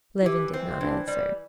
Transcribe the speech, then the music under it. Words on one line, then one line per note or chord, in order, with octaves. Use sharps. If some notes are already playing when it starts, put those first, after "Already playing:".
Levin did not answer.
E4
E3 G4
C4
E3 D4
G3